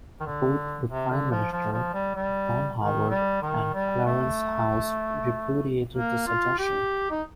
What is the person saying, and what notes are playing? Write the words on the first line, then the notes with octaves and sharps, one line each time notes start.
Both the Prime Minister, John Howard, and Clarence House repudiated the suggestion.
D#3
D3
C3
D3
F3
F3
F3
G3
G3
D#3
G3
D#3
G3
A3
A#3
F4
G4
D#4